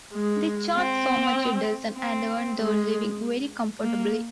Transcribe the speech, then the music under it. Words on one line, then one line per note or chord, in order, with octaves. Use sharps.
They charge so much a dozen, and earn their living very comfortably.
G#3
C4
C4
G#3
A#3